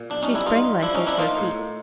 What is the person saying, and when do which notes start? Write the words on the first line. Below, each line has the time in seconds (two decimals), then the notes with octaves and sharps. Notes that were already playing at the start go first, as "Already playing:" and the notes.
She sprang lithely to her feet.
Already playing: A#2
0.10 B1 D4
0.23 C#4 D#4
0.29 G3
0.35 D4 E4
0.46 G2 D#4 F4
0.64 G2
0.82 F3 D4 E4
0.94 C#4 D#4
1.00 F3
1.06 D4 E4
1.18 A#3 D#4 F4
1.37 A2
1.55 A2